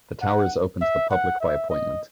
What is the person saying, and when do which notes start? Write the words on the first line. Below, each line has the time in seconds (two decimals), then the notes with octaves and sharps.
The tower is open to the public by appointment.
0.22 F#5
0.81 E5
1.11 F#5
1.40 E5
1.70 D#5